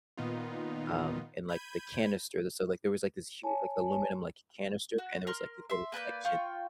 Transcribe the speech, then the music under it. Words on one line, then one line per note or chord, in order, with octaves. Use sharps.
um, in, like, the canister, the so like, there was, like, this huge, like, aluminum like canister, and there was, like, these little sections.
A#2 D#3 B3 D#4 F4
B5 G6 G#6 D#7
C#5 G#5 A5
F#4
A#4 C6 F6
E5 C6
A#3 B4 D5 G6
F4 G5 C#6